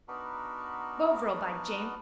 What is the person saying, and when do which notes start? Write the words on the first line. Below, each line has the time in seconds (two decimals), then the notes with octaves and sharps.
Bovril, by James.
0.08 B3 D4 D#4 F#4 A#4 B4